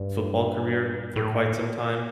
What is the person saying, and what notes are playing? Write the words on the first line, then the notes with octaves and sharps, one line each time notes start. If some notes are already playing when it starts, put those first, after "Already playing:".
football career for quite some time.
Already playing: G2
A2